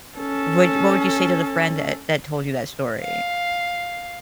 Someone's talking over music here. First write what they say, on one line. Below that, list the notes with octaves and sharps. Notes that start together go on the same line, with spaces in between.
Would what would you say to the friend that that told you that story?
C#4 A4
F5